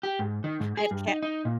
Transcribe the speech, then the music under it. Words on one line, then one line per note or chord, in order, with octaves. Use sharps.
I have ke
G4
G#2
D#3
G#2
G#4
G2
D#4
D#4
A#2